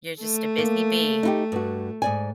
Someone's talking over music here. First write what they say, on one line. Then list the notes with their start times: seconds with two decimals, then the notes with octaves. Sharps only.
You're just a busy bee.
0.22 A3
0.58 A#3
1.23 D#4 E4 G4
1.52 G2 F#4
2.02 G#2 D5 G#5